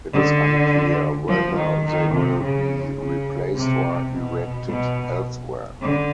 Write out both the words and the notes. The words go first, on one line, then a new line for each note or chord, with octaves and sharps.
It is unclear whether they will be replaced or erected elsewhere.
D3
F3
D#3
D#3
C3
C#3
C#3
C3
B2
B2
D3